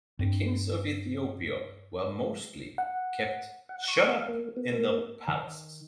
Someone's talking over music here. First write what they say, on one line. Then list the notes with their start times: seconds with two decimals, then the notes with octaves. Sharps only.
The kings of Ethiopia were mostly kept shut up in their palaces.
0.19 G2 C4
2.78 F#5
3.69 F#5
3.88 C#6
4.15 F5
4.28 A#3
4.57 B3
4.73 A#3
5.28 D#3